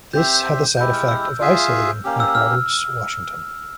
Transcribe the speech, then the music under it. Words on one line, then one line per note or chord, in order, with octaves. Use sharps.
This had the side effect of isolating Point Roberts, Washington.
C4 G4 C5 E5 G6
G#3 E4 G4 G6
F6
E6
E6
F4 G#4 E5
A#3 C#4 G4
E6
F6